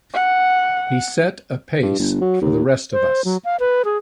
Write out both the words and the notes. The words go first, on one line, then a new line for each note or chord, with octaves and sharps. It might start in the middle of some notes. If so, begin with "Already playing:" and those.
He set a pace for the rest of us.
F#5
G2
G1
F#3
D#2
C5
F#3
F5
B4
G#4